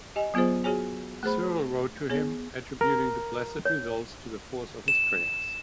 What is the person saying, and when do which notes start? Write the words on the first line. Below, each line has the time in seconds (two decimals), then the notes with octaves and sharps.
Cyril wrote to him, attributing the blessed result to the force of his prayers.
0.16 G4 D#5 G#5
0.34 F#3 B3 F4 G#4 C5
0.64 F#4 G#4 C#5 G#5
1.23 A3 G#4 C5 B5
2.10 B3 G#4 C#5
2.81 A#4
3.65 C#5
4.88 E7